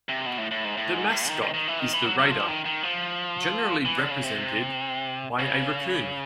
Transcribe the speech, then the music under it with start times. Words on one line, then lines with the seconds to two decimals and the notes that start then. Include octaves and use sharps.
The mascot is the Raider, generally represented by a raccoon.
0.09 C3
0.26 B2
0.38 A2
0.51 A2
0.65 G#2
0.77 A2
0.94 G#2
1.11 A2
1.28 D#3
1.42 D#3
1.54 D#3
1.67 E3
1.80 D#3
1.93 E3
2.06 F#3
2.18 F#3
2.31 F3
2.48 D#3
2.65 D#3
2.83 F3
3.85 E3
3.98 D3
4.10 C#3
4.24 C3
5.39 C#3